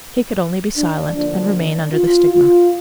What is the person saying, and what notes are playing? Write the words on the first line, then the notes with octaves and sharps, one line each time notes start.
He could only be silent and remain under the stigma.
D4
D3 F3 A#3 D4
D4
F4
F4